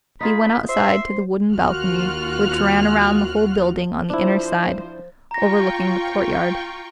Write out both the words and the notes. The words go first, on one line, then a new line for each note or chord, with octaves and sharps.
He went outside to the wooden balcony which ran round the whole building on the inner side, overlooking the courtyard.
D#4 F4 G#4 B5
C5 E5 C6
D#2 F4 F#4 F6 F#6
F3 D4 E4 C5
F4 G5 A#5 C#6 A#6